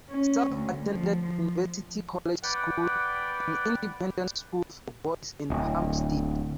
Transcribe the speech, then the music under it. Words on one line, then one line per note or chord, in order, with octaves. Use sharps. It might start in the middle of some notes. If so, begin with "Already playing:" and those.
Self attended University College School, an independent school for boys in Hampstead.
C#4
D2
F3
F3
B4 D5 F#5 G5
D1